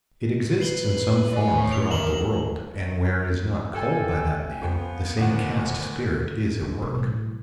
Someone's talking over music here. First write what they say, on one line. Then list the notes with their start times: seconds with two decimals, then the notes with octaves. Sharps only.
It exists in some form throughout the world, and where it is not called by that name, the same caste spirit is at work.
0.60 B4 C7 F#7 G7
1.33 D5 G#5
1.56 A2
1.72 F7
1.91 D#2 A#4 E7 F#7 G7
3.73 F4 G4 A4 G5 G#5
4.62 F2 F3 B3
5.17 D2 D#3 F#5
6.61 F#2
6.82 B2 F#3
6.95 A2 F#3